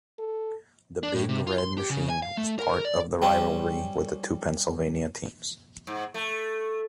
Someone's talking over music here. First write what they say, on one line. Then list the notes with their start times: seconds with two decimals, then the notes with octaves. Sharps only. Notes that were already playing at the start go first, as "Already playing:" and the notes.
The Big Red Machine was part of the rivalry with the two Pennsylvania teams.
0.19 A4
1.03 D4
1.15 A2
1.29 C3
1.47 F4
1.58 C6
1.78 G4
1.90 C#3
2.09 G#5
2.22 F5
2.37 A3
2.59 A#4
2.85 D5
3.22 G3 C4 C#4
5.87 G#2
6.14 A3